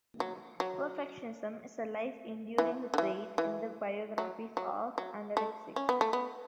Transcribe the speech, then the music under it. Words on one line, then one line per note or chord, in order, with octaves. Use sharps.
Perfectionism is a life enduring trait in the biographies of anorexics.
F#3
F#3
E3
D3
E3
E3
F#3
F#3
F#3
A3
C#4
B3
A3
B3